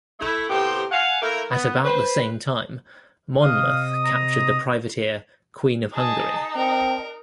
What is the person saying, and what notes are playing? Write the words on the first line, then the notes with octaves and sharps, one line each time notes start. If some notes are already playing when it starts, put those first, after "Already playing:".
At about the same time "Monmouth" captured the privateer "Queen of Hungary".
A3 E4
A2 C3 B3 G4 C5 G5
F5 F#5 G#5
A3 A#3 E4 A#4
B3
B4 C5
C3 D#5 F5 D#6
A#5
D#4 G#4 D#5 A5
C4 A#4 D5 D#5 A5